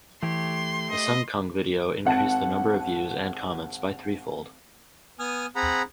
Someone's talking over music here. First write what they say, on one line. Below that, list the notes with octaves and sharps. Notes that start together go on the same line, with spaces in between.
The Sengkang video increased the number of views and comments by threefold.
E3 A3 G4 C#5 C6
D#5
G#1 F#5 A5
B3 G#5 D#6 F6
C4 G#4 F#5 A#5 B5